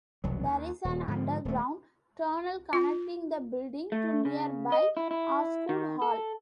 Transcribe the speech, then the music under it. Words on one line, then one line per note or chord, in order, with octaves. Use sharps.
There is an underground tunnel connecting the building to nearby Osgoode Hall.
E1 C2 F#3
D#2
D#1
G#2 D3 E3 F3
D#1 A3
F4
A3
C#3
D#5
E4
E4
D#3
A4